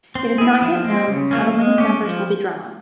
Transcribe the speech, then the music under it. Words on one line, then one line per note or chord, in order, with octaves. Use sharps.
It is not yet known how the winning numbers will be drawn.
C4
E4 G#4
F3
G#3 C4
C#3
F3 A#3 C#4
G#3
C#4 G4
F3